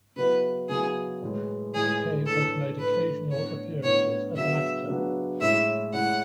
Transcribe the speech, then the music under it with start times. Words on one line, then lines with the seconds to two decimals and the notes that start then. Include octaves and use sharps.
Cave has made occasional appearances as an actor.
0.16 C#3 F#3 B3 E4 B4
0.69 C#3 F#3 B3 E4 G#4
1.22 A2 E3 G#3
1.74 A2 E3 G#3 G#4
2.26 A2 E3 A3 D4 A4
2.79 A2 E3 A3 D4 B4
3.31 A2 E3 B3 D4 C#5
3.83 A2 E3 B3 D4 C#5
4.36 C#3 F#3 B3 D4 E5
4.88 C#3 F#3 B3 D4
5.41 A2 G#3 C#4 E4 E5
5.93 A2 G#3 C#4 E4 F#5